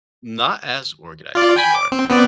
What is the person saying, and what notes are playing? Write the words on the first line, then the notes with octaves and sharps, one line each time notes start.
not as organized as you are,
F4 D5
G5 G#5 B5
D6
C4
B3 C4 D5